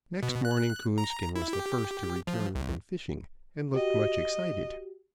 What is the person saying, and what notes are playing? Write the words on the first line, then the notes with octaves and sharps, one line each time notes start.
Next morning, Coonskin was the first to return from fishing, and looked much excited.
B2
F#6
A#5
E4
G4
F3
C2
F#4 G4 D#5